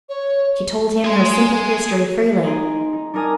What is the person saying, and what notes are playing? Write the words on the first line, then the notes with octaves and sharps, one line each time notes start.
She told him her simple history freely.
C#5
G#4 C6
D#4 G#4 D#5 C6 D7
D#4
D4 D#4 A#4 G#5 D#6